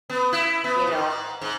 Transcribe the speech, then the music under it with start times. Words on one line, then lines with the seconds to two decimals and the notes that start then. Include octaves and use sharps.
You know?
0.10 B3
0.33 E4
0.64 B3
0.87 G#2
1.41 G#2